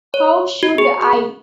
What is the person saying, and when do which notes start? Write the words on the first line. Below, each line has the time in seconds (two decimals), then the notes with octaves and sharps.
How should I?
0.14 C#5
0.63 F#4
0.78 G#4